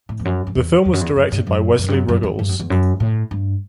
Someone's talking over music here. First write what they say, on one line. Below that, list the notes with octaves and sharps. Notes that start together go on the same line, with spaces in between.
The film was directed by Wesley Ruggles.
A2
E2
F#2
F#2
E2
E2
F#2
E2
F#2
G2
F#2
F#2
G2
F#2
F#2
E2
G2
F#2
E2
F#2
A2
G2